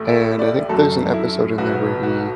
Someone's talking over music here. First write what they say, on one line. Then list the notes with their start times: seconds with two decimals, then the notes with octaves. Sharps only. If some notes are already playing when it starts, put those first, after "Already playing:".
and I think there's an episode in there where he
Already playing: A1 A2 A3
0.09 E5
0.39 D5
0.69 F#2 F#3 A3 A4
1.14 E4
1.58 B1 B2 B3 F#4
2.03 F#4